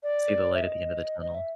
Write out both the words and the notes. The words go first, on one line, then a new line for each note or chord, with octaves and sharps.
See the light at the end of the tunnel.
D5
E5
D#5
D#5
E5